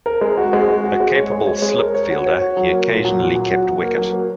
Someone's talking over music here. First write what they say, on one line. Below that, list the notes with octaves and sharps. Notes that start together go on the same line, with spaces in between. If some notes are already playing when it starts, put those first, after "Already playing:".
A capable slip fielder, he occasionally kept wicket.
A#4
G#3
F#4
G#3
F#4
F#4
G#3
C#5
G#3
C#5
G#3
A#4
C#5
F#4
C#5
F#4
F#3
A#3
A#2
F#3
A#2
F#3
F#4
F#4
A#3
F#3
A#3